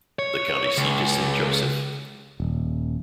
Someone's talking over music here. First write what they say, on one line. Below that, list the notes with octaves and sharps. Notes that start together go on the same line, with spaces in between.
The county seat is Saint Joseph.
C#5
C#2
D#1